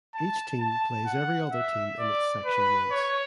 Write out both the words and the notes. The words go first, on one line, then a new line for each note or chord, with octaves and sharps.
Each team plays every other team in its section once.
A5
A5
F#5
E5
D5
B4
C#5